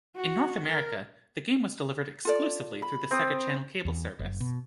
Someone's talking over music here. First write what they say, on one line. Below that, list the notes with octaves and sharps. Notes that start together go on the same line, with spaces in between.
In North America, the game was delivered exclusively through the Sega Channel cable service.
F#4
A#4
F4 A4 D5
B5
C4 D#6
E2
F#1
B2